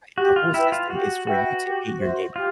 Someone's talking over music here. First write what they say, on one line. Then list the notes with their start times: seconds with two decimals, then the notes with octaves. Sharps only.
Right, the whole system is for you to hate your neighbor.
0.18 F#4 G4
0.36 F4
0.54 E4 B4 E5 G5
0.72 F4
0.90 F#4 G4
1.27 F#4 B4 E5 G5
1.63 G4
1.99 C5 E5
2.36 F4 G4